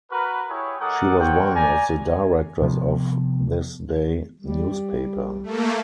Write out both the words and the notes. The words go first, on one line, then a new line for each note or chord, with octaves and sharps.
She was one of the directors of Thisday Newspaper.
F#4 A#4 B4
E4 G4 G#4 C#5
G#3 A4 A#4 F#5 D6 D#6
A#4 C5 C#5 F#5 G5
D5 G#5 A#5
C3 F3 B3
G3
A3 A#3